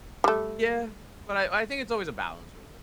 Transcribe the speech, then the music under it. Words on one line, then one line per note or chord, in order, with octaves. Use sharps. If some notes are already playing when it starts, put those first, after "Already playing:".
Yeah. But I I think it's always a balance, really.
G3 A3